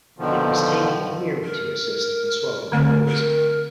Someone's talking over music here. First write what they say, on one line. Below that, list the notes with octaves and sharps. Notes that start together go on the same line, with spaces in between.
It was taken merely to assist in swallowing the poison.
B2 D3 D#3 F3
A#4
D3 A3 C4 A#4
A#4